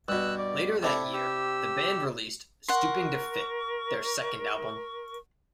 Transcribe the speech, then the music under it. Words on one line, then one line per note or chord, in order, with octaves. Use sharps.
Later that year, the band released "Stooping to Fit", their second album.
G2 B2 E6 F#6
D5
C3 D4 E4 A4
G4 E6
A#4 F#5 C6 C#6